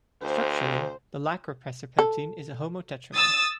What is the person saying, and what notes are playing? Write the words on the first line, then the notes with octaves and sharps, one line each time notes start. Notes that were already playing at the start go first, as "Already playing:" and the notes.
Structurally, the "lac" repressor protein is a homo-tetramer.
D2 C5
A4
D#6 E6 A6